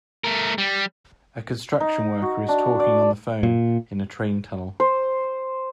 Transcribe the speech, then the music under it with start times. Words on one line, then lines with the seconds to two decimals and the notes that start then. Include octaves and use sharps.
A construction worker is talking on the phone in a train tunnel.
0.24 A3 A#4
0.58 G3
1.80 D#4
2.22 F#4
2.48 D4
2.80 D5
3.43 A#2
4.80 C5